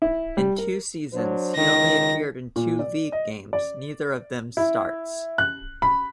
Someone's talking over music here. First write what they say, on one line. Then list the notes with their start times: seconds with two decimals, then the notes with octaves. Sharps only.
In two seasons, he only appeared in two league games, neither of them starts.
0.02 E4
0.37 G3
0.58 A#4
1.12 F#3 D4 C5
1.56 C#2 D#3 A#6
2.56 A#2
2.79 D5
3.12 D#5
3.53 D5
4.57 E4
5.38 F#6
5.82 B5